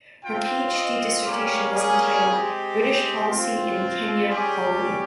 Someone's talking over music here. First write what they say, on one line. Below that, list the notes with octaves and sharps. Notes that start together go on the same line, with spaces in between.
Her PhD dissertation was entitled "British policy in Kenya Colony".
C4 F4 G5
D#5
G3 A#3 C#4 G4
G#4
G#3 C4 G4
C4 F4
G3 C#4 G4 G#4